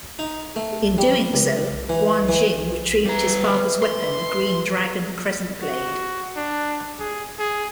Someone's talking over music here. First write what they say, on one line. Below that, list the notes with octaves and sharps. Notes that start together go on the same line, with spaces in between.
In doing so, Guan Xing retrieved his father's weapon, the Green Dragon Crescent Blade.
D#4
A3
G3
C#2
E3
E3
E3 G3 A#5
C6
F#4
D4
G#4
G#4